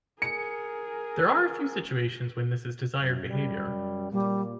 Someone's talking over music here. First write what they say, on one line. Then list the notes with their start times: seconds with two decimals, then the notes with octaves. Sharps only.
There are a few situations when this is desired behavior.
0.22 G#4 A#4 C#7
2.99 F#2
3.30 F#2 G3
4.12 A#2 G3